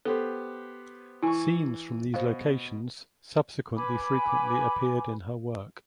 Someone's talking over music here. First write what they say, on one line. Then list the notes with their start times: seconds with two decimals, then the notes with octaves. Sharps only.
Scenes from these locations subsequently frequently appeared in her work.
0.05 B3 G4 A4 C5
1.23 E3 E4 G#5 C#6
2.14 B2 C5 F5
3.76 B4 G#5 B5 D6